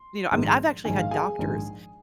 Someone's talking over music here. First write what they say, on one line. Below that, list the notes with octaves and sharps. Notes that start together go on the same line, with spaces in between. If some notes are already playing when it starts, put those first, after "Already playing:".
you know, I mean, I've actually had doctors
Already playing: C6
A#1 G#2 D#3
A#1 G#2 D#3 G#5
F5
G#4 G#5
A#1 G#2 D#3